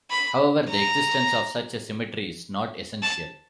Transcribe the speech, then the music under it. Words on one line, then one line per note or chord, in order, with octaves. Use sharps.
However, the existence of such a symmetry is not essential.
B5
A#5
A5